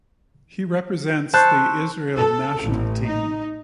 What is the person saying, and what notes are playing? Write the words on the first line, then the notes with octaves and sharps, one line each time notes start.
He represents the Israel national team.
C5 A5 C#6 E6 F#6 G6
A4
A1
D#4